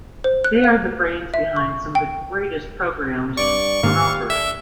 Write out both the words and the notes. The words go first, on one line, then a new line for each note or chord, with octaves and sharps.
They are the brains behind some of the greatest programs on offer!
C5
F#6
F5
E5
C#6
G5
G2 D5 C#6
G#2 D#3 A#3 C4 F4 G4 F5
D4 A4 E5